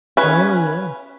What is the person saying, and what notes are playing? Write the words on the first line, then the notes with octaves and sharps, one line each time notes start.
Oh, yeah.
C#4 B4